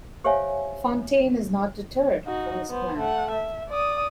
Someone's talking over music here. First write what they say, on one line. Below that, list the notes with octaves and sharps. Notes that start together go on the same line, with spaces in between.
Fontaine is not deterred from his plan.
G4 C5 C#5 E5 F5 G#5
D#4 F#4
B3 C5
A3 F#5
E5
D5 D#6